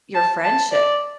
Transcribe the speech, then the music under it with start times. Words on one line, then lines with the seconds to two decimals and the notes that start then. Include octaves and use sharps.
your friendship.
0.15 A5
0.44 A5
0.72 D5